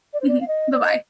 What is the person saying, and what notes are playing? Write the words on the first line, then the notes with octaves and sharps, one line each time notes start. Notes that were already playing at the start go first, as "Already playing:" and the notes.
Mhm. Bye-bye.
D5
C5
D5
F5
D#5
D5
D#5